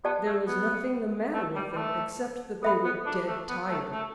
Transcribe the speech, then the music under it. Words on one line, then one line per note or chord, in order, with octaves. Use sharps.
There was nothing the matter with them except that they were dead tired.
B3 G4 D5 A5
A3
B3
A3
G3
G3
A3
B3 A4 E5 B5
B3
D4
A3
B3
A3
A3